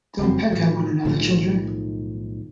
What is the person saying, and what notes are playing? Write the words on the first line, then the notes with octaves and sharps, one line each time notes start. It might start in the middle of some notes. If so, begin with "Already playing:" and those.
Don't peck at one another, children.
F#1 F2 F#3 C4
A2 F3 F#3
B1 A2 D#3 F3